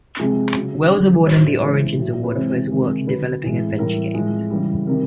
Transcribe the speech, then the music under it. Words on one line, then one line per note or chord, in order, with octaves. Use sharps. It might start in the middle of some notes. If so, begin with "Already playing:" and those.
Wells award and the Origins award for his work in developing adventure games.
C3 F3 G#3 G#4
C#3 F#3
D3 G3
A2 F#3 C5
C#5
C#3 E3 G#3 C5
A2 F#3
B4
C3 E3 G#3 C5
C3 D#3 G#3
D3 F#3 B4
A2 E3 G#3
A2 E3 G3 A#4
A2 F3 G#3
C#3 E3 G3
C3 D#3 G3 A#4